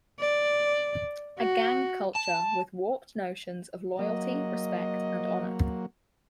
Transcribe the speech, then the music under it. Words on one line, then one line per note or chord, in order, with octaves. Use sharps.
A gang culture with warped notions of loyalty, respect and honour.
D5
F#4
A5
F#3 A#3 D#5